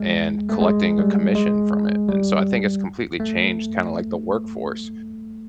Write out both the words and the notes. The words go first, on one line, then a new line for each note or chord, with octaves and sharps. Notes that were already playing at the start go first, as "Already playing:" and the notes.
and collecting a commission from it, and so I think it's completely changed kinda like the workforce
Already playing: G#3
A3
G#3
G3
G#3
G3
A3